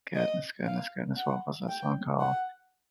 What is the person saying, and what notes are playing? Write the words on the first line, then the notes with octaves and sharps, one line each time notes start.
Goodness, goodness, goodness. What was that song called?
D#5
F5
F#5
G5
F#5